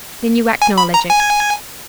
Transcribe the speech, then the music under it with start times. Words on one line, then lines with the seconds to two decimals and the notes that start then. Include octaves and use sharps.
"Then you acknowledge it?"
0.62 G#5
0.78 B5
0.94 A#5
1.10 G#5